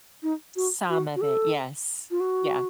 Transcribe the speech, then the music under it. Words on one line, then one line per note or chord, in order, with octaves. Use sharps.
Some of it, yes, yeah.
D#4
F#4
F#4
F#4
A4
F4
F#4